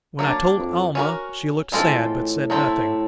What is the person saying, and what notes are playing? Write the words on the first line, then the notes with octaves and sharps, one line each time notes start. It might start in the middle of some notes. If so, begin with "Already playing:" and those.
When I told Almah, she looked sad, but said nothing.
F#3 A#3 D4
F2
C#4 F#4 A#4
A2 E3 G#3 C4 F4 A4
F#3 A3 C4 E4